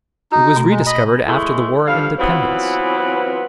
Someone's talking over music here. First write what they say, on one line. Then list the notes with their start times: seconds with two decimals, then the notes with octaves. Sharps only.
It was rediscovered after the War of Independence.
0.32 D#4 F#4
0.56 B2 A3 A#5
0.70 G#3
0.86 D#5 B5
1.26 E3 G#3 A3 E4
1.87 G2 D3 F3 F5
2.19 E3 F#3 B3 C4 F4